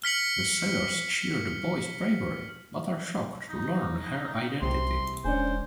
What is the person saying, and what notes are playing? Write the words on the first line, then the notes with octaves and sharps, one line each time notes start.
The sailors cheer the boy's bravery, but are shocked to learn her identity.
F6 B6 C#7 F#7
D#4
C2 C3 G4 C6
E1 C#4 D4 C5 G#5